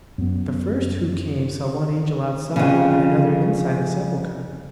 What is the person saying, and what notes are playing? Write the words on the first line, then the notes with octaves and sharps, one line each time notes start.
The first who came saw one angel outside and another inside the sepulchre.
F#2 B3
F2 C#3